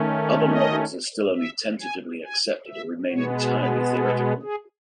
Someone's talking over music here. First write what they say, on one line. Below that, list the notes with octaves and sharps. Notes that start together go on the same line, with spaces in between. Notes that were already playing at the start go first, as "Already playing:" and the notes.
Other models are still only tentatively accepted or remain entirely theoretical.
Already playing: D#3 A3 C#4
D#5
E5
G#5
G#5
E5
B2 G#3 B3 C#5
B4
A4
G#4